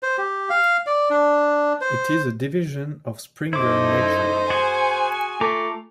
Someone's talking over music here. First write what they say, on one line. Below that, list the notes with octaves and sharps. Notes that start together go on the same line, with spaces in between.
It is a division of Springer Nature.
C5
G4
F5
D5
D4
C5
F#2 A3 D#4 E4 C5 D6
F#4 G#4 G#5 C6
A3 F4 A#5 D6